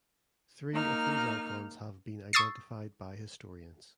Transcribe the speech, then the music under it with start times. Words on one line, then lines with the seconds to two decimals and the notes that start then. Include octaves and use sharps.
Three of these icons have been identified by historians.
0.73 A#3 D#4 F6
2.33 C#6 D#6 E6 A6 C7